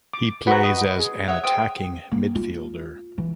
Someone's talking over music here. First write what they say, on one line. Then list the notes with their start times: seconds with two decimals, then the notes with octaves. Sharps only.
He plays as an attacking midfielder.
0.13 D6
0.47 F#4 B4 F#5 A#5 B5
0.63 D#5
1.00 G#4
1.28 C#5 D#5 E5 F#5
1.44 C5 G5 D#6 E6
2.12 A#3
2.35 F4
3.18 E3